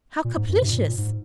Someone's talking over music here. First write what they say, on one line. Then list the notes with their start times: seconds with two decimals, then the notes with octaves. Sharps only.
How caplicious!
0.24 A#2
0.36 G#2
0.49 F#2
0.61 C3
0.65 G#2
0.70 A#2
0.79 G#2
0.88 A#2
0.98 G#2